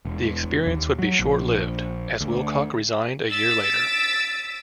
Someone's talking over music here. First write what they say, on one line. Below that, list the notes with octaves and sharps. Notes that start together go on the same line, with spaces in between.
The experience would be short-lived, as Wilcock resigned a year later.
E1
D#2
F#3
A#1
D2
E6 A6 B6 D7